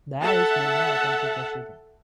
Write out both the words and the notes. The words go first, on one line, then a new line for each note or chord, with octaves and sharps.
The allies made no attempt to pursue them.
A4 E5 F#5 A5